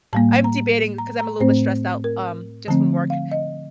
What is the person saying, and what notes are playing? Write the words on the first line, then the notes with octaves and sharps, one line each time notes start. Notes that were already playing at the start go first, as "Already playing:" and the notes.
I'm debating 'cause I'm a little bit stressed out, um, just from work
A2 G3 A#3 A5
A#5
A#5
A#5
A2 A3 C4 C5
A#4
D3 F3 A3 C4 A5
F5
D#5